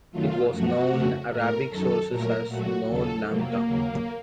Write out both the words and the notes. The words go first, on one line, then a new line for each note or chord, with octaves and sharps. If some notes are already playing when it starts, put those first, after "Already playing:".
It was known in Arabic sources as Noul Lamta.
F#2 D#3 F#3 A3 F4
F#2 F3 A3 F#4
F2 C#3 A3
A2 A3 A#4
F#2 D#3 F#3 A4
A#2 F#3 A3 A#4
A#2 F#3 A3 F#4
D#2 C#3 F#3 A4
F2 C3 F#3 A3 A#3
D#2 C#3 F#3